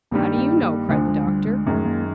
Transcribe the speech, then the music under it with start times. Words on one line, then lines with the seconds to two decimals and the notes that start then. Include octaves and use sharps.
"How do you know?" cried the doctor.
0.11 G2 D#3 G3 A#3
0.38 A#3
0.63 A#3
0.89 D2 D3 F3 A3
1.09 G#3
1.27 G3
1.47 G#3
1.66 F#2 D#3 G#3 A3
1.86 A#3